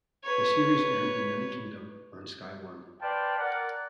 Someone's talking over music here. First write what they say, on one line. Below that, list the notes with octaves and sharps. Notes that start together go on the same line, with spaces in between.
The series aired the United Kingdom on Sky One.
B4 C#5
B4 C5 D5 F5 G5 A5
A#4 D5 F#5